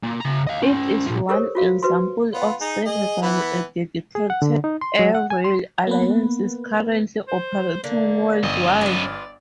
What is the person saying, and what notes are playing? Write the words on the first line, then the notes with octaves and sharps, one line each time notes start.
It is one example of several a dedicated air-rail alliances currently operating worldwide.
A#2
C#3 A#5
D#5 F5
C#4 C5
A#2 F3
G4 A4 A#4 C5 C#5
F4 F#4 F5
F#4 B4 C5 C6
B3 F4
D#4 G#4
G#4 D#5
E3 B3
G#4
F#5
D3
D#4
C6
F#3
F#5
G#5
C6
A#3 B3 B4
C5
D3 A#3
G1 F#2 D#5
B3 F4 D5